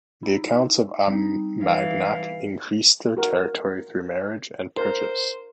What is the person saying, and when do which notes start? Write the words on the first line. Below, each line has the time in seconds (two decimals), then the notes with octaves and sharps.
The counts of Armagnac increased their territory through marriage and purchase.
0.23 D#4 E4
1.08 G3 C4 D#4
1.62 E3 F5
3.17 F#4 A#4
4.77 A#4 C5 A#5